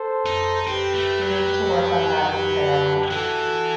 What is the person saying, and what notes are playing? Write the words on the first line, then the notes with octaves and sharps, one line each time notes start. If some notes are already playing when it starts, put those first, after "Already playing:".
We need to work on that in parallel.
Already playing: A4 C5
D#4
C4 G4 B4
A3
F#3
G4 B4
E3 F#4 A4